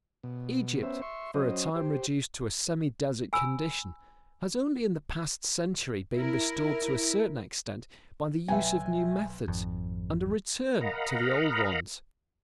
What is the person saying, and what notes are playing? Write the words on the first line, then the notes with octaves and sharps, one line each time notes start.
Egypt, for a time reduced to a semi-desert condition, has only in the past century been restored to a certain extent by the use of new methods and a return to the old ones.
B2
B3 C#4 C5 E5
E5 C6 C#6
F#3 C#4 C5 D#5
G4 C5
G#5 B5 E6
E4 A#4
B1 B4 E5 G5 G#5
G#1 F2
A#4 D#5 F5 F#5 A#5 B5